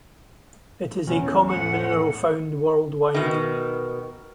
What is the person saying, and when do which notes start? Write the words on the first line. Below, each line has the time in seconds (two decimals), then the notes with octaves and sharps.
It is a common mineral, found worldwide.
1.07 E2 C#4
1.48 A2 F#5
3.14 B2 D#3